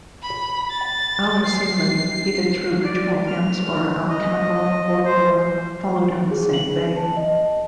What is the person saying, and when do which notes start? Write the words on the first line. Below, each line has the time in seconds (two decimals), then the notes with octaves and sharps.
Allerseelen, either through ritual hymns or alchemical folklore followed in the same vein.
0.22 B5
0.70 A6
1.45 C7
2.84 D5
3.27 F6
4.09 D#5
5.05 C5
6.31 G#4
6.53 F#7
6.97 A5
7.17 D#5